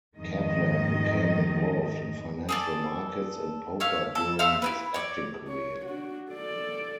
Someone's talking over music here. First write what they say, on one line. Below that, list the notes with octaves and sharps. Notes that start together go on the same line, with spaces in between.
Kaplan became involved in financial markets and poker during his acting career.
F2 G#2 D#3 G#3 D#5
G#4 A4 D5
C#5 E5 F5
A4
A4 C5 E5 F5
E4 G#4 B4
C#5 D5
C#5
D4 F#4
A4 D5